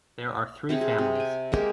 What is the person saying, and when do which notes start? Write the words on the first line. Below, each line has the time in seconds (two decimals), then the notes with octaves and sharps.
There are three families.
0.69 C3 C4 G#4
0.81 G#4
0.98 C3
1.15 G5 G#5
1.52 G#3 A#3 G4 G#4